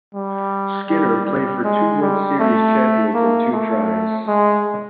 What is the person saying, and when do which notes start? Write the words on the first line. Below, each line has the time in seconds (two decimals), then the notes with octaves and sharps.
Skinner played for two World Series champions in two tries.
0.14 G3
0.88 G3
1.26 G3
1.64 G#3
2.02 G3
2.39 A3
3.14 A#3
3.52 A3
4.27 G#3